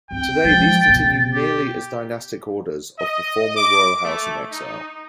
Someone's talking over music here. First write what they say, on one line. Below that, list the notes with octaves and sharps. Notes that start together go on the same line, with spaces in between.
Today these continue merely as dynastic orders of the former Royal house in exile.
C4 D4 G5
F3 G#3 A6
B2 B3
G4
D#5
D6
A3
D#4